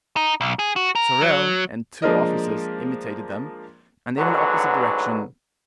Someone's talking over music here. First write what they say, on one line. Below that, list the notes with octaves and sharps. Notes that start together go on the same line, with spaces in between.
Sorel and two officers imitated them, and in an opposite direction.
D#4
B1
G#4
F#4
A#4
F#3
F3 G#3 A#3 D4 A#4 D#5
A1 G#2 D3 F#3 F#4 B4